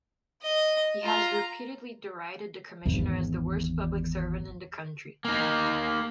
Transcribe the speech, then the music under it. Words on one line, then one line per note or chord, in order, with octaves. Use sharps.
He has repeatedly derided the commissioner as the worst public servant in the country.
D#5
F4 A#5
G#1 E2
A#3 D#4